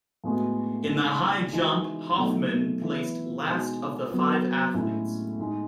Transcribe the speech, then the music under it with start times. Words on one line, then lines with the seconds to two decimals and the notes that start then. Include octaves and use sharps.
In the high jump Hofmann placed last of the five athletes.
0.24 A2 G#3 B3 F#4
0.89 C#3 G#3 D#4
1.53 E3 G#3 D#4 F#4
2.17 B2 F#3 A3 D#4
2.81 E3 B3 E4
3.46 B2 G#3 D#4 F#4
4.10 F#3 B3 F#4
4.74 A2 G#3 C#4 E4
5.39 A2 G#3 D#4